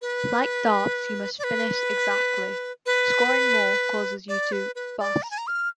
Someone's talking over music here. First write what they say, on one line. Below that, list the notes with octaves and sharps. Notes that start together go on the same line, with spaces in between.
Like darts you must finish exactly - scoring more causes you to "bust".
B4
D5
B4
B4
D5
B4
B4
D5
A#5
G#5
A#5
F6